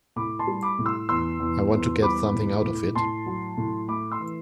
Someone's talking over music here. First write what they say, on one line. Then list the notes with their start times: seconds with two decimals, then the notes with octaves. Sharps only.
I want to get something out of it.
0.16 A2 B5 D6
0.39 A5 C6
0.47 G3
0.63 B5 D6
0.79 A2
0.85 C6 E6
1.09 E2 C6 E6
1.40 E2
1.71 E2
2.02 G3 B5 D6
2.33 A2
2.64 A2
2.95 A2 A5 C6
3.26 F#3
3.57 A2
3.88 A3 B5 D6
4.12 C6 E6
4.20 E3